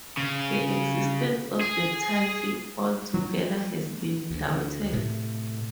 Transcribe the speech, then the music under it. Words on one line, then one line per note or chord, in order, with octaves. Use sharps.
The existence of the title altogether has been doubted.
C#3
G#4
F#3
D2
A2 C3 A3